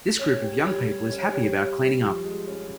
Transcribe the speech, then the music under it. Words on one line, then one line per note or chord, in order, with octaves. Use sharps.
This group of young people is happy about cleaning up.
C#4 C#5
G4
G3 C#5
G3
C#4
G4
G3
G3
F3
G#3
C#4